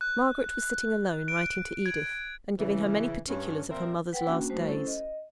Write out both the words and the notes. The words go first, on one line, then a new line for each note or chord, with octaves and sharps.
Margaret was sitting alone, writing to Edith, and giving her many particulars of her mother's last days.
F#6
D7
G#6
C#3 E3
G2 C#4
A#2 F3 C4 A#4 C5 E5
B4 F#5 G5
A#3 C#4 D4 F#4
G3 A3 F#4 C5 A5
C#4 E4 A4 C5
D#5